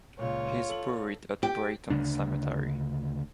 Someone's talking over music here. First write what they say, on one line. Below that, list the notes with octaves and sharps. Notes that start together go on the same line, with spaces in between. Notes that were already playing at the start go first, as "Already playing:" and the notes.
He is buried at Brayton Cemetery.
C#2 A#2 F4 C#5
A4 F#7
G4
D2 C#3 D4